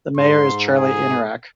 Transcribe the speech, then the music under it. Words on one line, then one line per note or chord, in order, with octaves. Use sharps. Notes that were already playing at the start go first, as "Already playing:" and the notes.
The mayor is Charlie Inuarak.
G#2 C6
G#4